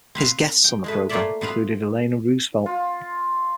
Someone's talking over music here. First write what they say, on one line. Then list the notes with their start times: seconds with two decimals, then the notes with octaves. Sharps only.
His guests on the program included Eleanor Roosevelt.
0.15 C4 B4 F5
0.64 G5
0.84 G#3 A3 B4
1.09 A3 A#3 F4 C#5 D5 E5
1.41 B3 C4 B4 F5
2.66 F4